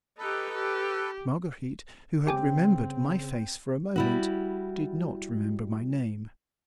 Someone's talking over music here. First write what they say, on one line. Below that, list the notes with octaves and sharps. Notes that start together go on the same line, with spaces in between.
Marguerite, who had remembered my face for a moment, did not remember my name.
D#4 G4 A4 B4
G4
C#3 C4 G4 G5 G#5 D6
G3 E4 F#4